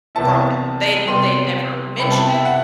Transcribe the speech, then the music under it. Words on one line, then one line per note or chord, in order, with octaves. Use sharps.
from them. They'd n they'd never mentioned it,
C2 C3 E3 B3 E4 A5
C3 G3 B3 C6
C3 G3 B3 E4 B5
A5
G5
E5
F#5